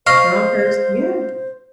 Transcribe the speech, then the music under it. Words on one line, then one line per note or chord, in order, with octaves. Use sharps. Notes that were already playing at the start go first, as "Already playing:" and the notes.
now I'm perched, yeah.
C5 D#5 F5 C#6 F6 A#6